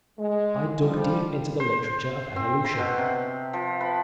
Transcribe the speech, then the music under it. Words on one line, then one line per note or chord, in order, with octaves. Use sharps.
I dug deep into the literature of Evolution.
G#3
F3 G3
C5
C4
C6
B2
C3
F3
B4